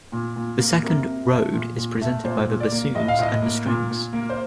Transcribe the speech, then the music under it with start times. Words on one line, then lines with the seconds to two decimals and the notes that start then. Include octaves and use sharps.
The second "road" is presented by the bassoon and the strings.
0.12 A#2
0.36 A#2
0.59 A#3
0.83 C3 A#4
1.06 C3
1.31 A3
1.53 A#2
1.78 A#2
2.01 A3
2.24 A#2 C5
2.48 A#2
2.60 D5
2.72 A#3
2.95 A2 D#5
3.08 F5
3.19 A2 D#5
3.42 A#3
3.66 A#2
3.90 A#2
4.13 A#3
4.30 C5